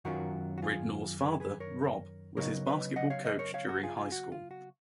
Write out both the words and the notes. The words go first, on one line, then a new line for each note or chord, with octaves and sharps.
Ridnour's father, Rob, was his basketball coach during high school.
F#2 D#3 F#3 C#4 F4 F#4 A#4
F#4
F4 G#4
G#4 B4
G#4 B4
A#4 C#5
C#3 F#3 B3 D#4 A#4 C#5
B4 D#5
D#5 F#5
C#5 F5
B4 D#5
A#4 C#5
C#5 F5
F#4 A#4
F4 G#4
F4 G#4
F#4
F4
F#4